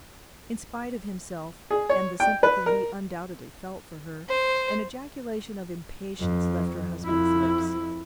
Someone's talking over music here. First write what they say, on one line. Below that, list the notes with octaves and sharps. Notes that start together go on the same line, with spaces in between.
In spite of himself and the sympathy he undoubtedly felt for her, an ejaculation of impatience left her husband's lips.
G#4
C#5
G5
B4
A#4
C5
F2
F2 E4